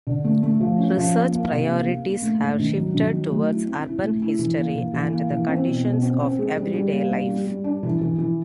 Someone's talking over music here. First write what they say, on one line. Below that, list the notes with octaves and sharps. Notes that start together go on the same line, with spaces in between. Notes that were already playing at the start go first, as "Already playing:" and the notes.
Research priorities have shifted toward urban history and the conditions of everyday life.
D3
A3
A3
F3
C#4
F3
A#3
A#3
C3
A#3
A#3
A#3
A3
G#2
D#3
F#3
D#3
F#3
A3
E4
C4
E4
A3
E4
E3
A#3
E3
E3
A#3
E3
C4
B2
B2
C4
C4
G#3
G3
G3
A#3
G3
G3
G3
D4
E3
E3
E3